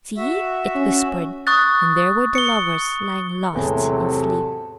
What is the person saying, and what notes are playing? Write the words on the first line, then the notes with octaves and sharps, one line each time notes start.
"See," it whispered, and there were the lovers, lying lost in sleep.
F#4 E5
C#4
C#6 D#6 F#6 A6
C#7 G7
E2 A2 C3 F#3 G#3 A4